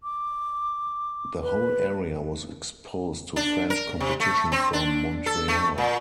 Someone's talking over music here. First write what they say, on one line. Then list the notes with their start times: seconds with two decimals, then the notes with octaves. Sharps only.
The whole area was exposed to French competition from Montreal.
0.03 D6
1.42 B4
3.36 D4
3.70 A#4
4.00 C3
4.20 A3
4.52 C4
4.73 D4
5.26 A4
5.48 A3
5.78 A#2